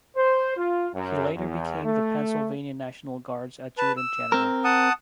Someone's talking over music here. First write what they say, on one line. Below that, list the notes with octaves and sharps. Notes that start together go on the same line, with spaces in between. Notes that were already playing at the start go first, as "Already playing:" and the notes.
He later became the Pennsylvania National Guard’s adjutant general.
C5
F4
F#2
E2
A3
B4 A5
E6
C4 A#4
F#5 A5 D#6